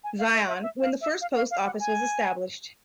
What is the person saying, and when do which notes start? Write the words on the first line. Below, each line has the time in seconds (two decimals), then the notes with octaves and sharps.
Zion when the first post office was established.
0.04 G#5
0.19 F5
0.34 E5
0.48 E5
0.63 E5
0.82 F5
1.01 E5
1.21 F5
1.35 F5
1.51 F5
1.66 F#5
1.80 G#5